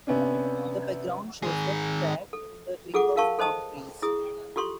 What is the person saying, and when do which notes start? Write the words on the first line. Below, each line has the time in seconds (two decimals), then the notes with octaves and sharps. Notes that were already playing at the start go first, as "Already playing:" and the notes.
The background shows the track and a ring of palm trees.
0.07 C3 B3 C#4 D4
1.43 D#3 G#4
2.33 A4
2.94 F4 G#4 A4 F#5 D6
3.16 F4 A#4 F5 A5 C#6
3.39 A4 C5 D#5 A5 D#6
4.02 E4 G#4 D#6
4.56 F4 G4 A4 C6 C#6